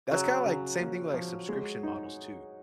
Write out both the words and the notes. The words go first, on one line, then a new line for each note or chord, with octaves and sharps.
That's kinda like same thing with, like, subscription models too.
C#3 F#3
C#3
A#3
F3
G#3
D#4